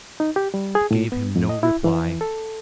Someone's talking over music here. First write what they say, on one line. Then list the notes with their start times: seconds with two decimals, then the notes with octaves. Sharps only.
It gave him no reply.
0.20 D#4
0.36 G4
0.54 G3
0.75 G#4
0.91 A2
1.12 B3
1.36 F2
1.49 D#5
1.63 E4
1.84 E3
2.21 A4